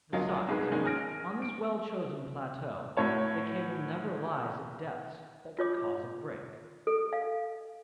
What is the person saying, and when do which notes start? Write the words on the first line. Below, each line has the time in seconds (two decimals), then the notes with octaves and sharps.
Besides, on this well-chosen plateau, the cable never lies at depths that could cause a break.
0.13 D2 F#3 F4 A#4 D#5
0.47 C2 G#2 G#3 G#4 B4
0.71 D#3 F3 G#3 A#3 C#4 D#4
0.85 G#5 F6 A#6 D7
1.42 D7
2.97 A2 F#4 C#5 A5
5.59 F4 C#5 D6
6.87 A4
7.13 F5